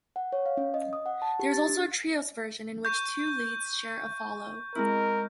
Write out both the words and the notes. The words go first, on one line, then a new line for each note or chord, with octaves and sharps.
There is also a Trios version in which two leads share a follow.
F#5
C#5
F5
C#4
D#5
D#6
F#5
A5
G4
A6
D4
C#6 G6
G#3 C4 E4 A#4